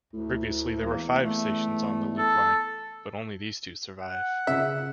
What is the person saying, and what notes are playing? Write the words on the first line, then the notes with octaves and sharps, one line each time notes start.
Previously there were five stations on the loop line, but only these two survive.
D2 A2
E2 A#3
A3
A4
F#5
C#3 F4 E5